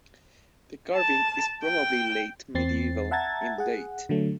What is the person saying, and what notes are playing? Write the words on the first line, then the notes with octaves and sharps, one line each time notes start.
The carving is probably late medieval in date.
A5
G5
E2 C4 A6 C7
E5 F#5 A5 A#5 G#6 A6
G#4 F#5
D3 F#3 A3